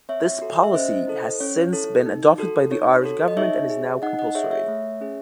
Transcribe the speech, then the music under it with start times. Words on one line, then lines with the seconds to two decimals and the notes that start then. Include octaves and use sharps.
This policy has since been adopted by the Irish government and is now compulsory.
0.09 C4 C#5 E5
0.42 F#4 A4
0.63 E5
0.74 C#4 C5 D#5
1.07 E4 A4
1.40 C#4 C#5
1.73 E4 A4
2.06 D#4
2.38 F#4 A4
2.71 D#4 C#5
3.04 F#4 A4
3.28 D#5
3.37 D#4 C#5 E5
3.70 G#4
4.02 D#4 D#5 F#5
4.19 D#5 F#5
4.35 G#4 C#5 E5
4.51 C#5 E5
4.68 A3
5.01 C#4 G#4